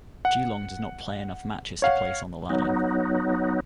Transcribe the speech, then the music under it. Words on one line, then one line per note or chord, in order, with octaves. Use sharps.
Geelong did not play enough matches to place on the ladder.
F#5
C#5 F5 F#5
F#3 B3 D#4